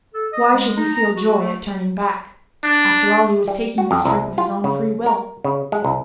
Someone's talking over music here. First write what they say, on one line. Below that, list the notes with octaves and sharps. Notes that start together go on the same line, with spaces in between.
Why should he feel joy at turning back? After all, he was taking this trip of his own free will.
A4
D#5
G#3
D#4
A#5
F#4
A3
D4
G3
F#4
F2
C2
F4
C#3
A#4
C#3
G#3
C2